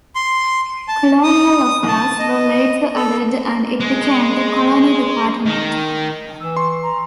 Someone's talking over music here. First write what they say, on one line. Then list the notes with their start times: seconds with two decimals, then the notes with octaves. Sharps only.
Colonial affairs were later added and it became the Colony Department.
0.15 C6
0.88 A5
1.23 D#6
1.88 A5
2.19 D#5
2.96 A4
3.80 G#3
5.45 D#3
6.40 E3 E6
6.57 C6 C#6
6.83 A#5